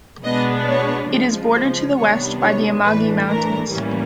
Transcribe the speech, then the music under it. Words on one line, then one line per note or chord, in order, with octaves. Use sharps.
It is bordered to the west by the Amagi Mountains.
B2 G#3 B3 D4 D#5
C#5
C#3 F3 G#3
C5
C3 D#3 G3 B3 D4 C#5
C#5
A2 E3 A3 D4 B4
A#4
A2 E3 G3 A#3 C#4